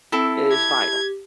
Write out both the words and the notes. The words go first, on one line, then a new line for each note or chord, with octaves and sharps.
Is vital.
C4 E4 A4
G4 G#6